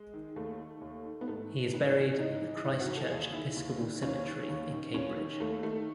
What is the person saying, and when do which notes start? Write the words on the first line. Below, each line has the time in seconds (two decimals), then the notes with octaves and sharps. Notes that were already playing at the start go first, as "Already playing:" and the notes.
He is buried at the Christ Church Episcopal Cemetery in Cambridge.
Already playing: G#3
0.14 D#3
0.36 D#2 A3
0.59 D#3
0.81 D#2
1.05 D#3
1.21 B3
1.28 G#2 A3
1.51 E3
1.74 G#2 B3
1.96 E3
2.19 G#2 D#4
2.42 E3
2.65 G#2 E4
2.80 F#4
2.88 E3
2.96 A4
3.10 D#2 G#4
3.33 D#3 E4
3.56 D#2
3.79 D#3
4.02 D#2 C#4
4.26 D#3
4.49 D#2
4.72 D#3
4.94 D#2 C#4
5.17 D#3
5.39 D#2 A3
5.62 D#3 A3